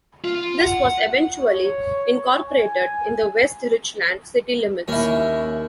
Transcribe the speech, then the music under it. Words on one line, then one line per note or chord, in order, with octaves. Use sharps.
This was eventually incorporated in the West Richland City limits.
F4
F#5
C#5
G#5
D#2 C#4 E4